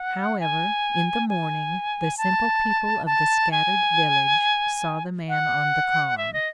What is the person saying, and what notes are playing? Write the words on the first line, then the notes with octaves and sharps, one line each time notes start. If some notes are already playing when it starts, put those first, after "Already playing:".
However, in the morning the simple people of the scattered village saw the man on the column.
Already playing: F#5
G#5
G#5
A5
A5
G#5
F#5
E5
D#5